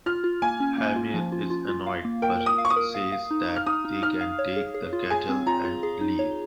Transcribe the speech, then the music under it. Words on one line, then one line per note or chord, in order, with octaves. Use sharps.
Hymir is annoyed but says that they can take the kettle and leave.
F4 F6
F4
A#3 G#5
C#4
A#3
F4
F3
F4
F4
F4
F5
A#3
A#4 G5
A#4
D#6
F5
C#6
D#6
A#4
F5
F5
D#4
D#4
F6
D#4 D#6
D#4
D#4 F6
F5
C#5
G#4
G#4
F4
G#4 G#5
C4
F4 A#5
F4
G#4
D#4
C#5